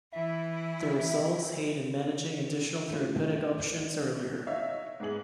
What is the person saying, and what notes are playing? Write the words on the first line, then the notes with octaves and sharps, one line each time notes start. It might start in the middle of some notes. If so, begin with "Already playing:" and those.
The results aid in managing additional therapeutic options earlier.
E3 E4 E5
D#3 A3 C#4 E4 F4
D#4 C#5 E5 F5
G#2 B3 G#4 F#7